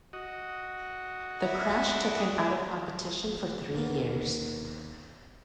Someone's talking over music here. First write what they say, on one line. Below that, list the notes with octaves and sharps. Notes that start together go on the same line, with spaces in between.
The crash took him out of competition for three years.
F#4 D#5
D4 E4
D#2 A#3 B3